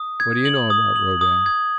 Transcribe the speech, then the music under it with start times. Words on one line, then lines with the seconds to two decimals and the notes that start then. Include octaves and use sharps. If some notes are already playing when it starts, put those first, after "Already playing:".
"What do you know about Rodin?"
Already playing: D#6
0.20 G#6
0.45 F#7
0.70 D#6
0.96 F#7
1.21 D#6
1.46 G#6